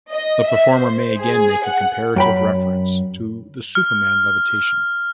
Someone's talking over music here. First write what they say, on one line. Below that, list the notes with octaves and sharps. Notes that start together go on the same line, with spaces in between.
The performer may again make a comparative reference to the Superman levitation.
D#5
E5
C5
G#4
F#5
F#2 G5 B5
F6